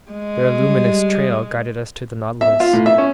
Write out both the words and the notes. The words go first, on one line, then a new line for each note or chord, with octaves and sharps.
Their luminous trail guided us to the Nautilus.
G#3
G3
E5
F4
A2
E5
C#4